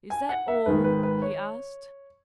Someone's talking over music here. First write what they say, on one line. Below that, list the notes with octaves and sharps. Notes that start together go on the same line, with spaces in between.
"Is that all?" he asked.
G#5
F#5
E5
G#1 G#2 D#3 G#3 B4
B4
B4
C#5